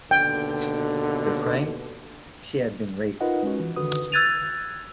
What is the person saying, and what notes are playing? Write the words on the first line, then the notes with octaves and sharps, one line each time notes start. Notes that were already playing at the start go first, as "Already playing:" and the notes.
Her crime: she had been raped.
D#2 B2 D3 G5
D#4 F4 A#4 B4 D#5 F#5
G#3 C#4 F#4
E3
D3 D#3 F#4 B4 D#6
E6 F#6 G#6 A6 D#7 F7